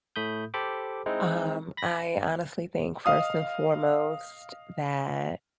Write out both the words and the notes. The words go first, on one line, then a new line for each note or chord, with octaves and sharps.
Um, I honestly think, first and foremost, that
A2 A3 B5 D#6 G6
G4 A4 C5 B5 D6
G#3 C4 D#4 E4
B5 A#6
D#5 F5 D#6